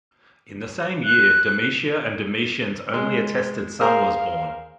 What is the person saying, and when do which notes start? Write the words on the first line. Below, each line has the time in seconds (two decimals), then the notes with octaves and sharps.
In the same year, Domitia and Domitian's only attested son was born.
1.05 F#6
2.94 G#3
3.81 G#4 A#4 C5 F5